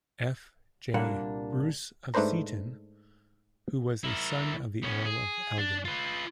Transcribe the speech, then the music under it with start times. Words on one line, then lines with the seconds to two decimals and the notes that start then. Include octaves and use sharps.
F. J. Bruce of Seaton, who was a son of the Earl of Elgin.
0.94 C2 A#2 G3 A#3 D4 F#5
2.14 G#2 A3 D4 B4 C5 A#5
4.04 E4 A#4
4.83 B3 C#4
5.06 G#4
5.58 D4
5.85 F4 B4